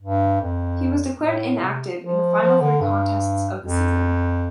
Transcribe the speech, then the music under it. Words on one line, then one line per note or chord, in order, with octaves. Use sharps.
He was declared inactive in the final three contests of the season.
G2
F2
A2
C3
F3
F3
D3
G2
F2